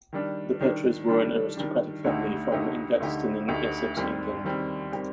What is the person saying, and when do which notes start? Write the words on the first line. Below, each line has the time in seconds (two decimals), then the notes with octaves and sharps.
The Petres were an aristocratic family from Ingatestone in Essex, England.
0.13 D#3 G3 D4
0.61 D#3 G3 D4
1.08 D#3 G3 D4
1.57 D#3 G3 D4
2.04 D2 D3 A3 D#4 G4
2.52 D2 D3 A3 D#4 G4
3.00 D2 D3 A3 D#4 G4
3.48 D2 D3 A3 D#4 G4
3.97 D#2 D#3 G3 C4 G4
4.44 D#2 D#3 G3 C4 G4
4.92 D#3 G3 C4 G4